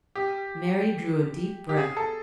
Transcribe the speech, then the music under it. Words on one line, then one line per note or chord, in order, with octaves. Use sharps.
Mary drew a deep breath.
G4
G4
G#4
A4